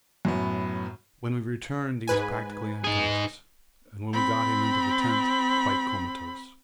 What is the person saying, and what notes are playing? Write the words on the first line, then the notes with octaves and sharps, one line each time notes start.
When we returned he was practically unconscious, and when we got him into the tent quite comatose.
F#2 A2 B3
G#2 B4 G#5
D#4 G#4
C4 B5